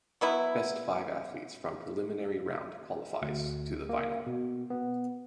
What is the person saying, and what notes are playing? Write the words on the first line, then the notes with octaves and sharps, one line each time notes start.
Best five athletes from preliminary round qualifies to the final.
F#3 B3 E4
D2
A#3
B2
B3